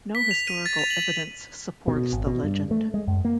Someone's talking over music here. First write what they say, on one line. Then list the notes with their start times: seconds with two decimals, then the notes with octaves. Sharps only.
No historical evidence supports the legend.
0.15 B6
0.31 F7
0.47 D#7
0.66 A6
0.79 F7
0.90 F#7
1.03 F#7
1.88 B2
2.13 G#1
2.27 B2
2.44 G2
2.71 A3
2.94 G#3
3.08 F#2
3.25 A#3